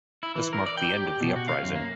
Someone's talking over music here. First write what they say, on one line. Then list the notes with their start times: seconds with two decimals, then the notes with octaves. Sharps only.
This marked the end of the uprising.
0.23 E4
0.36 E3
0.53 A#4
0.66 D5
0.77 G5
0.94 G4
1.07 G4
1.21 B2
1.36 F#4
1.48 F5
1.63 F#2
1.75 A#3